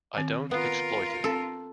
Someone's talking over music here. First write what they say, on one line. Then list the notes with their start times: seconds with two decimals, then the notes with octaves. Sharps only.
I don't exploit it.
0.16 D#3 C4
0.51 B3 F4 A#4
1.24 C4 A4